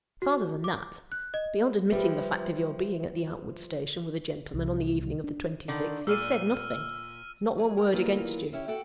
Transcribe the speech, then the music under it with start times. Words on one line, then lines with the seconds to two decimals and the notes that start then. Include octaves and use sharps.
Farther than that--beyond admitting the fact of your being at the Outwood station with a gentleman, on the evening of the twenty-sixth--he has said nothing--not one word against you.
0.22 F#4
0.64 D6
1.12 F#6
1.34 D#5
1.92 F3 G3 B4 E5
4.54 C2
5.24 D4
5.68 D3 D#3
6.07 A#2 D5 E6 F6 D#7
7.58 F#3 G#4
7.77 A#4 G5
7.91 D#3 E3 F#3 A#3 B3 F4
8.53 C#4 E4 G4
8.68 F#4 A4 F#5 G5